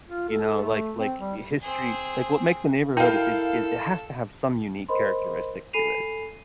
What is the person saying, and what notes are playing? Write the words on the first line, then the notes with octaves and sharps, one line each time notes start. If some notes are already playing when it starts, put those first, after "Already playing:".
You know? Like like, history like, what makes a neighborhood is it it has to have some unique characteristic to it.
F4
A4
A3
C4
G3
C4 G#4
E4 A4 A#4 F5 G5
A#4 C5 D#5 B5 C6
A4 G#5 B5 C7 D#7 F7